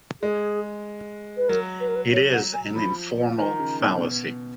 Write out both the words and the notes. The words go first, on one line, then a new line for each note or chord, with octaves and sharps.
It is an informal fallacy.
G#3 G#4
B4
F#3 A#4
B4
A#4
B4
C#5
F#5
G#5
F3 B5
D#3 A#5
C#3
B2
B2